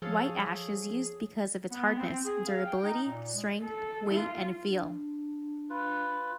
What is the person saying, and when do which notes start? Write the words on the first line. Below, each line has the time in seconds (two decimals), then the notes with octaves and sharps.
White ash is used because of its hardness, durability, strength, weight and feel.
0.02 F3 G#4 A4 C#5 F5
1.71 B3
1.96 C4
2.25 G#4
2.47 F5
2.65 G5
2.84 D#4
3.07 A#2
3.34 G#3
3.63 A4
4.09 F4
4.65 D4
5.70 F4 B4